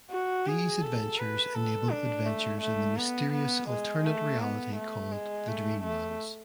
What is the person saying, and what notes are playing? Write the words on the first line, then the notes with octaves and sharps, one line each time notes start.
These adventures enable adventures in the mysterious alternate reality called the Dreamlands.
F#4
G#4
A4
B4
A4
D4
A3
A3
B3
B3
G#3
A3
B3
A3
G#3
A3
A3